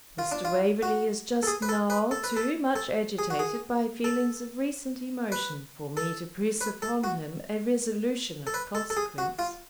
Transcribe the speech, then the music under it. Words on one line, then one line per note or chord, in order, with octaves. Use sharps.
Mr. Waverley is just now too much agitated by feelings of recent emotion for me to press upon him a resolution of consequence.'
F4
D4
F4
F#4
A4
G#4
B4
A4
B4
A4
B4
A4
A4
G#4
F#4
G#4
A4
B4
A4
B4
A4
F#4
A4
B4
A4
A4
G#4
F#4
F4